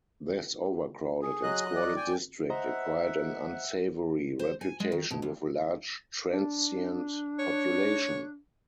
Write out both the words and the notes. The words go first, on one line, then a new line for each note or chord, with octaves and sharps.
This overcrowded and squalid district acquired an unsavoury reputation with a large transient population.
G#4
F#3 D#5 F#6
D5
G5 G#5
C5 D#5 E5 F#5 A#5
C5
G#5
G#3
D#3
B2
D2
D4
C#5